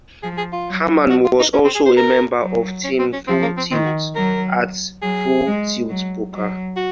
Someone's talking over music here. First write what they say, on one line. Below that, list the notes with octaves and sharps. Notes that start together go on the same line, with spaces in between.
Harman was also a member of "Team Full Tilt" at Full Tilt Poker.
F3 G#4
G#4
F4
F#3
F#4
F4
D#4
C#4
C4
G#4
C5
A#4
F#3
C#4
C4
C#4
F3 C4
A#3
C4
D#3 C4
F#4
F#3 A#4
F#3 G#4
G#3
F#3
F#3
F#4